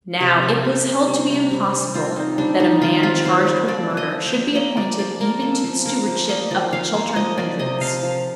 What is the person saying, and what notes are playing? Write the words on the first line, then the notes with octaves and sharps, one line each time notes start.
Now it was held to be impossible that a man charged with murder should be appointed even to the stewardship of the Chiltern Hundreds.
C3 G4
C3
C3
C3
G3
C3
G3
G3
C4 F4
C4 D#4
G3 D4
G3 D#4
D#3 F4
C4 F4
C4 C5
G3 D5
F3 D5
F3
D#5
F3
G5
A#3
A#3 D#5
F3 D5
F3 D5
A#3 A#4
A#3 A4
F3
A#3 A#4
F3
A#3 D#5
F3 D5
F3 F5
A#3
F3 D#5
A#3 D5
C3 D#5
F3 F5
F3